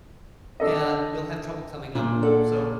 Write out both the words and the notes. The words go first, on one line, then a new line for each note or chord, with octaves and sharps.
And you'll have trouble coming up with 'em, so
D4 A4 D#5
A#2 D4 F4
A4 D5 F#5